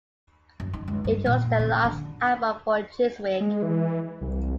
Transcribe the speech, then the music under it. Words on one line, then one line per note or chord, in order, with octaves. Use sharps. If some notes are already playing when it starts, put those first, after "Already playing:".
It was their last album for Chiswick.
F#2
D#4
C#2
G2
A#2
C#3
D3
G#3
E3
C2